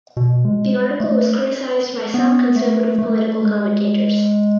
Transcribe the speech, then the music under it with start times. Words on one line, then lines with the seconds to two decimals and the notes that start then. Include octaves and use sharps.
The article was criticized by some conservative political commentators.
0.17 B2
0.45 G#3
1.00 A3
2.14 B3
2.56 A3
2.98 A3
3.41 G#3